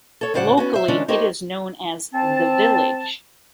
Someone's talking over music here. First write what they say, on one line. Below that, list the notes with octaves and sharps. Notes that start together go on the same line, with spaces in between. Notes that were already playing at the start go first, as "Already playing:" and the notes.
Locally, it is known as 'The Village'.
A4 C#5
D2 A2 C#3 C5 D5 F#5
B3 C#4 F#4
C5 E5
D3 E3 G#3 C#4 D4
C4 D#4 G4 A#4 C#5
C4 A5